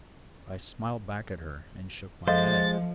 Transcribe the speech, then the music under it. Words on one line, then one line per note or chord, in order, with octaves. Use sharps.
I smiled back at her, and shook my head.
F3 G#3 A4 C5 D#5 F5 C6 A6